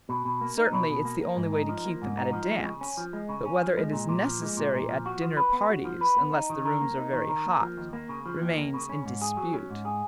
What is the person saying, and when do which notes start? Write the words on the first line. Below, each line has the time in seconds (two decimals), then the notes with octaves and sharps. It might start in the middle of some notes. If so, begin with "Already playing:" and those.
Certainly it's the only way to keep them at a dance; but whether it is necessary at dinner parties, unless the rooms are very hot, remains in dispute.
0.09 B2
0.25 B2
0.41 A#3
0.58 D#4
0.73 B2
0.89 B2
1.05 A#3
1.21 A#3
1.36 G#2
1.53 D#4
1.69 F3
1.85 A#3
2.02 G#2
2.18 D#4
2.33 F3
2.49 G#3
2.65 C#3
2.81 C#4
2.97 F3
3.13 G#3
3.29 C#3
3.45 C#4
3.61 F3
3.77 G#3
3.93 A#2
4.09 A#2
4.26 F3
4.42 G#3
4.57 A#2
4.73 A#2
4.89 F3
5.06 F#4
5.22 F3
5.37 B4
5.53 B3
5.69 F#4
5.85 F3
6.01 B4
6.17 B3
6.33 D#4
6.50 D#3
6.65 A#4
6.81 A#3
6.98 D#4
7.13 D#3
7.29 A#4
7.46 A#3
7.62 F3
7.77 D#2
7.93 A#3
8.09 C#3
8.26 F3
8.42 D#2
8.57 A#3
8.74 C#3
8.89 C#4
9.06 G#2
9.22 G#4
9.37 F#3
9.54 C#4
9.70 G#2
9.85 G#4